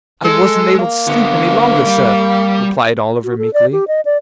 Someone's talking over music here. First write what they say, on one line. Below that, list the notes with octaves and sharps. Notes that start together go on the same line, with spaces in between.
'I wasn't able to sleep any longer, sir,' replied Oliver, meekly.
G#3 A4
A#3
D3 B3
G3
F#4
A4
D5
G4
D#5
D5